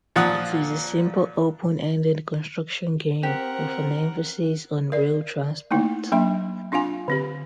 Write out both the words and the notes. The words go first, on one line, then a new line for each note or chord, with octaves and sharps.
It is a simple open-ended construction game with an emphasis on Rail Transport.
A#2 F3 F#5 D#6
C4 G4 A#4 F#5
A#4 D5
A3 A#3 D#4 E4
F#3 A#3 D4 E5 B5
C4 D4 F4 F5 G#5
D3 C4 G4